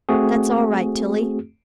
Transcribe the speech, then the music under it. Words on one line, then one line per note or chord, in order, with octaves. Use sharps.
That's all right, Tillie.
A3 C4 F#4 G#4